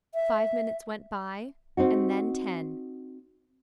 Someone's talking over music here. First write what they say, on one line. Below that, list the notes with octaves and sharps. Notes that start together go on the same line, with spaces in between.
Five minutes went by and then ten.
E5
C4 D#4 F#4